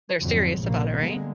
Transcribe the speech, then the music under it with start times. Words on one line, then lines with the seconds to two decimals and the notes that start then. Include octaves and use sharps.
They're serious about it, right?
0.20 F2 G#2 D3 F3 F#3
0.59 F1 A#1 C#3 A#3
1.01 D3 G3 G#3 A#3 B3